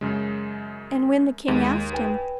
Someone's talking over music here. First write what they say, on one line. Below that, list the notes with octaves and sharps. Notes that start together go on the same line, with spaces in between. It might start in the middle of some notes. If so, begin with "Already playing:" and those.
And when the king asked him.
F#2 C#3 G#3
D#2 G#3
B4 G5 G#5